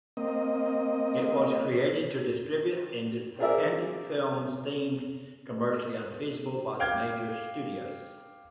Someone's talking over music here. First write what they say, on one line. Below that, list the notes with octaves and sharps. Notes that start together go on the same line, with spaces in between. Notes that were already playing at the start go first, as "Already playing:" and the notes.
It was created to distribute independent films deemed commercially unfeasible by the major studios.
A#3 C4 D#5
C4 F4 G#4 A#4 D5 E5
F5 G5 D6 F6 G6 G#6